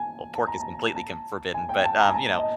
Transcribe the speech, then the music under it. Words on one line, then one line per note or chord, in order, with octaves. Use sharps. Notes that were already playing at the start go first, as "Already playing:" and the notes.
well, pork is completely c forbidden, but, um, you know,
Already playing: G#5 A5
A5
A#5
A5
A5
G#5
G5
A5
A#5
G#5
A5
D#5